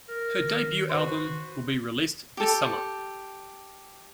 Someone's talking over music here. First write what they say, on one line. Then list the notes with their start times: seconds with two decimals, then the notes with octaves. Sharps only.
Her debut album will be released this summer.
0.09 A#4
0.40 D#3
0.89 F#4 B4 C5
2.37 G4 A4